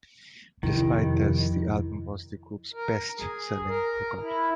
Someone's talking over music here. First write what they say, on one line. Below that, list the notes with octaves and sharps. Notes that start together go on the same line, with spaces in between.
Despite this, the album was the group's best-selling record.
F2 C3 D#3 E4
A#4
G#4
A#4
E4